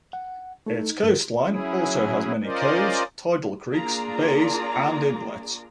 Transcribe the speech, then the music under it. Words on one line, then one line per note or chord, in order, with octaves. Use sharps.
Its coastline also has many coves, tidal creeks, bays and inlets.
F#5
A3 D#4 A4
G2 A3 A#4
F#3 C#4 E4 G#4
C#4 F4 A#4 C5 D5 D#5
A#3 D4 F4 G#4 D5 A#5